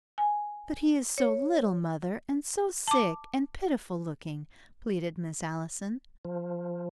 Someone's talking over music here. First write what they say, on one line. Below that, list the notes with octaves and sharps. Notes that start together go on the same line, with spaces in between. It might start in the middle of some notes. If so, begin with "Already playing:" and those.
"But he is so little, mother, and so sick and pitiful looking," pleaded Miss Allison.
G#5
C#5
A5 D6
F3